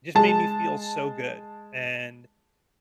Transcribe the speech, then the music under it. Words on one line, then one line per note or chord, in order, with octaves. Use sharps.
just made me feel so good. And
G#3 A5